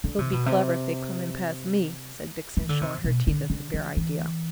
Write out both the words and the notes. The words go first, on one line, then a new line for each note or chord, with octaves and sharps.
'They'll be clever if they come in past me!' said Dixon, showing her teeth at the bare idea.
D3
C3
B2
C3
E3
D3
C3
B2
D3
D3
E3
E3